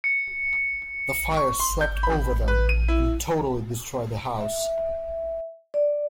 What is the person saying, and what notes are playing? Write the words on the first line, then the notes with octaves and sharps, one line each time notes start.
The fire swept over them and totally destroyed the house.
C#7
C#6
C6
G6
B5
B4
D#7
E4
E5
D5